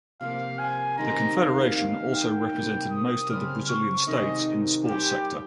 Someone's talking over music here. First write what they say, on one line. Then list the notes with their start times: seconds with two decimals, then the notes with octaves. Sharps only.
The Confederation also represented most of the Brazilian states in the sports sector.
0.21 C3 F3 A#3 F5
0.59 G#5
0.98 D#3 G#3 C4 G4 A#5
1.36 F5
1.75 D#3 A#3 D#4 G4 F5
2.14 G5
2.52 C3 G3 A#3
2.91 D#6
3.30 C#3 G3 C4 F6
3.69 C#6
4.07 C3 D#3 G#3 D#4 D#5
4.84 G3 C#4 F4 G4